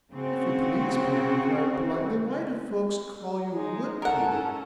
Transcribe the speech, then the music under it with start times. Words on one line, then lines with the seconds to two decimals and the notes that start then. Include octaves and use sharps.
"If you please," Peter inquired politely, "why do folks call you Wood Pewee?"
0.12 C#3 C4 F#4
3.54 G#3 D#4
4.02 C#4 A4 A#4 F#5